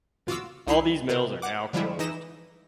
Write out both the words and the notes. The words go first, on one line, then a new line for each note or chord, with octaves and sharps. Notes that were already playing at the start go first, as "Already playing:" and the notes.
All these mills are now closed.
F4 F#4 D6 E6
C2 D#4 E4 C7
C3 A#4 C5
F#5 D6
D3 F3 G3 G#3 E4
E3 D#4 D#6 A#6 E7